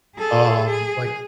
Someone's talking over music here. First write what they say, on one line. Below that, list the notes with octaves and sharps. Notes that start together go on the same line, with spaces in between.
um, like,
G#4 A4
G#4